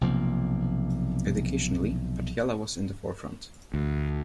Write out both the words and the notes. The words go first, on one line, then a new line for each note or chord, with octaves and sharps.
Educationally, Patiala was in the forefront.
B1 C3 F3 A#3
D2